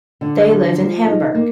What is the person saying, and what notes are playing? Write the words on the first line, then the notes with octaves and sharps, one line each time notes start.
They live in Hamburg.
D3
F#3
F3
D#4
A#3